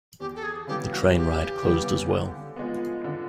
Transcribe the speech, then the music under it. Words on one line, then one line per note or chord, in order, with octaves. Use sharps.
The train ride closed as well.
E2 G4
A4
G#4
C#3 E3 G3 B3 G4
F#4
E2 G4
C#3 E3 G3 B3
D3
F3 G#3 B3
D3